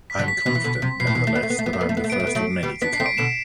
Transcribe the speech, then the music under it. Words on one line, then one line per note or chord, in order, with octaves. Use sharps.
I am confident, nevertheless, that I am the first of many to come.
B6
D3 F#3
B6
B2 D3
E3
B2 D3
C3
B2 C7
A2
B2
A3
B3
A3
B3
A3
B3
A3
B3
A3
B3
A3
B3 D7
A3
B3
F#3 A3
G3 B3
B3 D4 B6
D4 C7
A3 C4
D7
B2 D3 E7